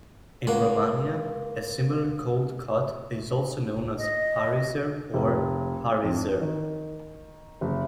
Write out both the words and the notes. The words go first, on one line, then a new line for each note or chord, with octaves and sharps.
In Romania, a similar cold cut is also known as "pariser" or "parizer".
C#2 A#3 F#5
D#5
F1
F2
D#3
F#1